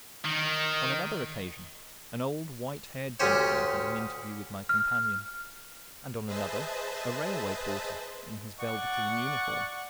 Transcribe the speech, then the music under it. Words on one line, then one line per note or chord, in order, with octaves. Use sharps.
On another occasion an old white-haired gentleman had an interview with my companion; and on another a railway porter in his velveteen uniform.
D#3
D2 C#4 G4 C5 C#5
F6
G#4 B4 C5 D#5 E5 A5
D5 F#5 C#6